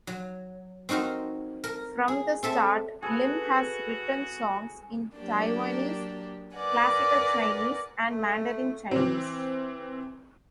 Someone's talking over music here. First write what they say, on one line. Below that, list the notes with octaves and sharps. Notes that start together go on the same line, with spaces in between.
From the start, Lim has written songs in Taiwanese, Classical Chinese, and Mandarin Chinese.
F#3
C4 D#4 F#4 A#4 C5
A#4
G#4
C4 A4 E5
F#4 G#4 A4 B4
F#3 A#3 D4 G4
A#4 B4 D5 F#5 G#5
A3 A4
E3 C4